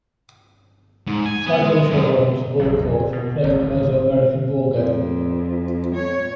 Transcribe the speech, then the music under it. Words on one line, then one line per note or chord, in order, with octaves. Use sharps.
The site also holds a ballcourt for playing the Mesoamerican ballgame.
G#2
G#5
B3
G#3
F#2
A1 E2 A2 F#3
B2
D1 G#1 D2
F2
C#5